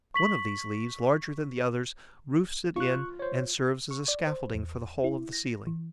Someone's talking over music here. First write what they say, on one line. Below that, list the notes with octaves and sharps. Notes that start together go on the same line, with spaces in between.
One of these leaves, larger than the others, roofs it in and serves as a scaffolding for the whole of the ceiling.
C#6 B6 F#7
F4 C#6 F#6
C5 C#5
C#6
D5
C5
E2
E4
A#6
E3